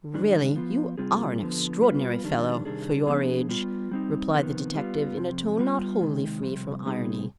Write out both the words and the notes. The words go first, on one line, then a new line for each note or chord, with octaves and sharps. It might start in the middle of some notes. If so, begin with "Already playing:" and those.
"Really--you are an extraordinary fellow--for your age!" replied the detective in a tone not wholly free from irony.
G#2 D#3 G3 D4
F3 B3 F4
C3 G3 C4 F4 G#4
F2 D3 F3 B3
G3 B3 F4 B4
F2 D#3 G3 D4
C3 D#3 G3 D4 G#4
F3 B3 D4 G#4
G3 B3 F4
G3 C4 D#4
F2 C3 D#3 B3
G3 B3 F4
F2 C3
G3 B3 F4
C3 D#3 G#3
F2 C3 G3
C3 G3 B3 D#4 G#4